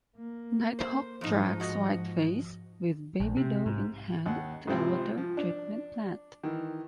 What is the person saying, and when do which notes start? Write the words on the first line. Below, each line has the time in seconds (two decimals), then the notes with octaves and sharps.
Nighthawk tracks Whiteface, with Baby Doe in hand, to a water treatment plant.
0.17 A#3
0.79 C5
1.21 F2 G#2 F3 D#4
1.60 F#4 D#5
3.20 A#1
3.37 C3
3.66 G#2
4.26 D#2 F#5
4.67 G#1 C3 F3 C4 E5
5.17 F3
5.37 D4
6.43 D#3 E3